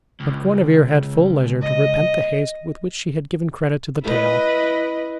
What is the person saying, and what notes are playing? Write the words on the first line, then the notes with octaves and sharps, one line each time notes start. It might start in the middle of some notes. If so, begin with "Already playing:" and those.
But Guenever had full leisure to repent the haste with which she had given credit to the tale.
C#2
D#5
E4 B4 D#5